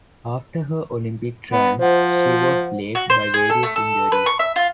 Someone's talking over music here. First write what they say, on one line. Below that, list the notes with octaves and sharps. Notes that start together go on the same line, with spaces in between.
After her Olympic triumph, she was plagued by various injuries.
B3
F3 C5 F#5
F#4
C5
G#4
A4
A3
A4
B4
C#6
E5
F4